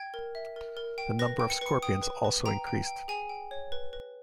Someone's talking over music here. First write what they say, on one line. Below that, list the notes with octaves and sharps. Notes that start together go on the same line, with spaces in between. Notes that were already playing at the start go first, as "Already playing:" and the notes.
The number of scorpions also increased.
Already playing: G5 G#6
A#4
E5
A#4
A#4
G5
B4 A#6
G5
C#7
B4
C#7
G5 D#6
B4
B4
G5 A#5
G5
G5
G#4 G#5
G5
C#5
B4
B4